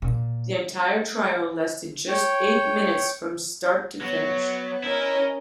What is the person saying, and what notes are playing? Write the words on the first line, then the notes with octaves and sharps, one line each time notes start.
The entire trial lasted just eight minutes from start to finish.
A#2
C#5 G5
F#3 B3 C#5
C#4 E4 A#4 C#5 D#5